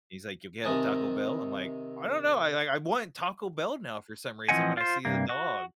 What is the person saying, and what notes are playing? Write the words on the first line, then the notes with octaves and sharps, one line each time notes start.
He's like, “Yo Quiero Taco Bell?" I'm like, "I don't know." I I I want Taco Bell now for some reason when I see the dog.
C3 D#3 D#5 G#5 A5
E3 F3 C4 D#5 F#5 G#5
F4 C5
G2 C3 A#3
F#4